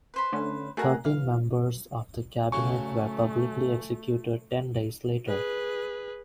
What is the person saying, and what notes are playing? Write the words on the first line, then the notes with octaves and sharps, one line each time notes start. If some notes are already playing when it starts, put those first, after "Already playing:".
Thirteen members of the Cabinet were publicly executed ten days later.
B4 C5 B5
D3 A3 C#4
A3 F#4 G#4 A#4 F#5 A#5
E3 F5
A2 C#3 F#3 A3 G#5 C#6
G#4 B4